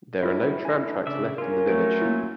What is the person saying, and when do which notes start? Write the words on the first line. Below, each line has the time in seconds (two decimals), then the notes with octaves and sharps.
There are no tram tracks left in the village.
0.23 F#3 G3 E4 F4
0.65 E3 A3 D4 G#5 A#6
1.07 C#3 D5 E5
1.38 C#4 F4 A#4
1.68 F#3 A3 D7
2.02 A#3 E4